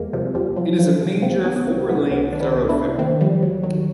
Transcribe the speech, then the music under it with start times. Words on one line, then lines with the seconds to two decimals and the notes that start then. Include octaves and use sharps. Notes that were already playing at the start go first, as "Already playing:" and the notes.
It is a major four-lane thoroughfare.
Already playing: E2 G#3 A#3
0.13 C3 F3 G3
0.35 E2 F3 G3
0.57 F3 F#3
0.79 E2 F3
1.01 C3 F#3
1.22 C2 A#3 C4
1.44 D#3 B3 C#4
1.56 B3
1.67 C2 A#3 C4
1.88 C3 A3 B3
2.11 C2 B3 C#4
2.32 D#3 D4
2.40 B3 C#4
2.55 C2
2.69 D4 E4
2.77 C3
2.99 D#3 A#3 C4
3.20 D#2 F3 G3
3.42 D#2 F#3
3.64 D#3 F#3